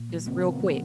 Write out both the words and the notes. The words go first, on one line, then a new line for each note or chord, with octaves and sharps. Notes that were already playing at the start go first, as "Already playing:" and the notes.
Just real quick.
Already playing: A#2
F#3
C#3 A#3 C4
C#3 B3
F3 A#3